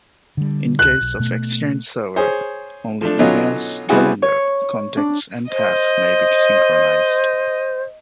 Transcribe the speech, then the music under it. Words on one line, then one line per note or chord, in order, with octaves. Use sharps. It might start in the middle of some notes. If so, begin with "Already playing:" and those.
In case of Exchange Server, only emails, calendar, contacts and tasks may be synchronized.
D3 G3
C#2 F#6
B1
B2 A3
G#4 C5 C#5
F3 A3 D4
B2 D3 F#3 C#4 D#4 F4
G3 B3 C4 E4 F#4 G#4
C#5
D4
C5 D#5